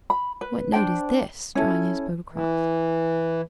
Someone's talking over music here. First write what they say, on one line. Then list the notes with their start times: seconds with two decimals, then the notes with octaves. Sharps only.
"What note is this?" drawing his bow across.
0.10 B5
0.41 B4
0.72 D4 C5 G5 A5
1.55 C#4 E4 A4
2.32 E3